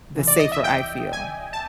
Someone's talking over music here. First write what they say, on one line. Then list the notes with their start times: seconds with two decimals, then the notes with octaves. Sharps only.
the safer I feel.
0.15 C#2 C3 E3
0.28 D5
0.39 D#5
0.52 E5
0.64 G5
1.13 G#5
1.53 A5